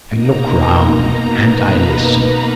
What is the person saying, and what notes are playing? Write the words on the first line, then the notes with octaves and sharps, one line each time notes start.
I look round and I listen.
B2 A#3 D#4 A#5
B4